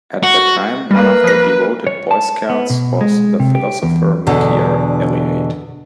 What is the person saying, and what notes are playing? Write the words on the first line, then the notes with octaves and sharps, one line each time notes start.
At the time, one of the devoted Boy Scouts was the philosopher Mircea Eliade.
F#4
G3 A#3 B4
F3 A#6
C#5
A5
B3
B2
G#3
C3
G4
E2
E2 B2 D3 D4